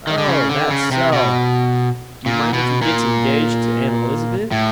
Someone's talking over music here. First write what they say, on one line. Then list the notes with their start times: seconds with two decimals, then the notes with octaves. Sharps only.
"Oh--that's so! Do you mind if he gets engaged to Aunt Elizabeth?"
0.07 D#3
0.18 D3
0.28 C#3
0.49 D3
0.70 C#3
0.92 C3
1.12 B2
2.26 A#2
2.53 B2
2.82 A#2
4.52 A2